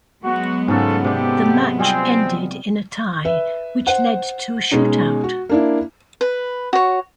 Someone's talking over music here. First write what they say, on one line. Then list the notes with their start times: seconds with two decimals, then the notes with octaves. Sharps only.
The match ended in a tie which led to a shootout.
0.24 F#3 G#3 B3 F#4
0.68 G#2 C#3 F4 F#4 A4
1.04 C3 G4 A4 D5
1.79 G3 C4 F4 G#4
3.25 B4 E5
3.87 C5 F#5
4.71 B2 G#3 C#4 D#4
5.24 F#4
5.49 A#3 D4 E4
6.21 B4
6.73 F#4 C#5